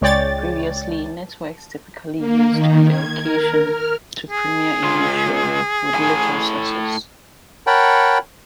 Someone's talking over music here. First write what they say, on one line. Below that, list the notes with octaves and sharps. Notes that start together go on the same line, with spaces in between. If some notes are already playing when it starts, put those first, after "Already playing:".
Previously, networks typically used the occasion to premiere a new show, with little success.
C#2 G#3 C#5 D5 G5 A6
A#3
D#3
G#6
A#4
F6
G#4
C#2 F4
A2 G#5
A#4 C#5 F#5 G5 A5 B5